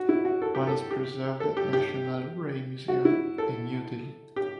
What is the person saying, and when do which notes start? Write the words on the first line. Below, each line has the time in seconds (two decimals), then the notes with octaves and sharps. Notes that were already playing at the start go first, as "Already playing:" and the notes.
One is preserved at National Rail Museum in New Delhi.
Already playing: F#4
0.09 E4
0.25 F#4
0.42 A4
0.55 G4
0.67 A4
0.91 G4
1.40 A4
1.57 G4
1.73 G4
2.88 F#4
3.05 E4
3.38 A4
4.36 G4